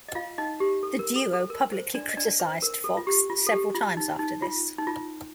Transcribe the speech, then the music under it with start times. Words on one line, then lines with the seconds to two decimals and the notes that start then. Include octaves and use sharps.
The duo publicly criticized Fox several times after this.
0.08 D#5
0.15 F4 F5
0.38 D#4 D#5
0.60 G4
0.83 A4
0.99 A#4
1.16 A4
1.33 A4
1.50 A#4
1.72 C5
1.94 D4 D5
2.09 D#5
2.17 D4 D5
2.40 C5
2.62 A#4
2.84 A4
2.97 F4
3.07 G4
3.30 F4
3.47 A4
3.52 G4
3.75 F4
3.97 D#4
4.19 D#4
4.42 F4
4.78 D#4
4.87 F4